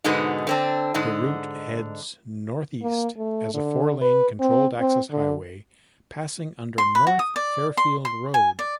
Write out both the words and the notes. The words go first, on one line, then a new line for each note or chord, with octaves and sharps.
The route heads northeast as a four-lane controlled-access highway, passing under North Fairfield Road.
G#2 B2 D3 G#3 B3 D#4
D3 C4 D4
G#2 D3 D#4
A#3
A3
D3
B4
C4
C4
D3
C6
B4
F#4
D#6
D5
C6
C6
G#5
D5